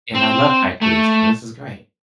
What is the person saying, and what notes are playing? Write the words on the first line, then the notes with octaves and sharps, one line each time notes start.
And I love Tai Chi, so this is great.
C4
A3